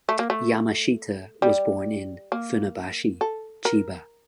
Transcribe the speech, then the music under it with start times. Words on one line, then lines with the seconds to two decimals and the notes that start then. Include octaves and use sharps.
Yamashita was born in Funabashi, Chiba.
0.09 A3
0.19 A#3
0.30 A3
1.42 G3
2.32 A#3
3.21 A4
3.65 A#4